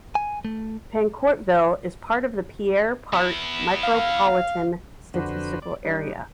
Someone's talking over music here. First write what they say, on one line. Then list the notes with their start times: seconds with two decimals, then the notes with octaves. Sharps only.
Paincourtville is part of the Pierre Part Micropolitan Statistical Area.
0.15 G#5
0.45 A3
3.13 B3 E4
3.83 F5
5.14 F2 D3 D4 F#4 B4 C5
5.62 D5
5.85 G3 D4 D#4